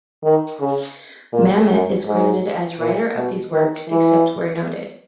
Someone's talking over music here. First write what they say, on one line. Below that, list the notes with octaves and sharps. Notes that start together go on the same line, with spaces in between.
Mamet is credited as writer of these works except where noted.
D#3
C#3
A#2
F#2
G#2
A#2
B2
D#3
E3